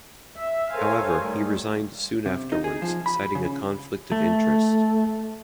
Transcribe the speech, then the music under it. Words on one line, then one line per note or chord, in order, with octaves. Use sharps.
However, he resigned soon afterwards, citing a conflict of interest.
E5
A4 A#4 C5 C#5 F5 G#5
D#3 G3 A3
C3
D#4
G#4
F3
B5
C#3
A3